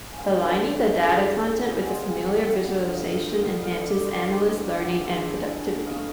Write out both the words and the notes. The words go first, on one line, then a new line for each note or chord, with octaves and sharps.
Aligning the data content with a familiar visualization enhances analyst learning and productivity.
G#5
D3 G3 C4 F5 G5
C#3 E3 G#3 C4
C#3 E3 G#3 C4 F#5 G#5
F5 G5
E5 F#5
F5 G5
D3 G3 B3 E5 F#5
D#5 F5
F5 G5
D3 G3 B3 F5 G5
D#5 F5
D5 E5
C5 D5
G2 E3 G#3 D5 E5
D5 E5
E5 F#5
G2 E3 G#3 E5 F#5
A2 E3 A3 D#5 F5